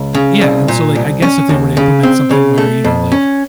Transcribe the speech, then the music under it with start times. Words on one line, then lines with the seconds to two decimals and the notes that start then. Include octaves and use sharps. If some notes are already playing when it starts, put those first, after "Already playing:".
Yeah, and so, like, I guess if they were to implement something where, you know, like,
Already playing: C#2
0.15 C#3
0.41 C2
0.68 A#2
0.96 C2
1.22 C#4
1.49 D#2
1.77 C#3
2.03 C4
2.31 C#3
2.58 A3
2.84 F2
3.12 C#4